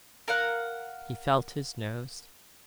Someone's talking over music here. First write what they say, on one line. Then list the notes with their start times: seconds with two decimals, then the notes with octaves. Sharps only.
He felt his nose.
0.28 A#4 F5 F#5